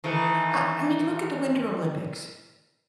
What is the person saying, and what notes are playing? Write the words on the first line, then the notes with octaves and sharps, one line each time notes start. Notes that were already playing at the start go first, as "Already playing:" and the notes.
I I mean look at the Winter Olympics.
D#3 E3 A3